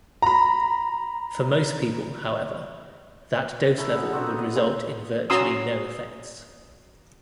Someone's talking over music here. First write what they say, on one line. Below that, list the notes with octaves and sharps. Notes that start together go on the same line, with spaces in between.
For most people, however, that dose level would result in virtually no effects.
A#5 B5
C#4 E4 A4 A#4
B2 B3
C4 D4 D#4 F#4
B3 D#4
D#5
C#3 G#3 C4
C#4 F#4 A#5 C6 D#6 E6